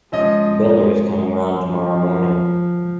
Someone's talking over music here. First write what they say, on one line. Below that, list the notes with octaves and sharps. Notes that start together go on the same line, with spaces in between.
The builder is coming round tomorrow morning.
F3 G#3 C#4 D#5
F3